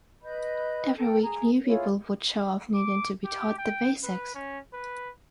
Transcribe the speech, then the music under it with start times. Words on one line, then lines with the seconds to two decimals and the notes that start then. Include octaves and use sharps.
Every week new people would show up needing to be taught the basics.
0.22 B4 D#5 B5 G6
0.97 A4 A#4 G5
1.23 G#4 A#5
1.65 E4 F4 G#4 C#5
2.74 D6
3.25 G4
3.59 G5
4.04 B4
4.35 C#4
4.73 B4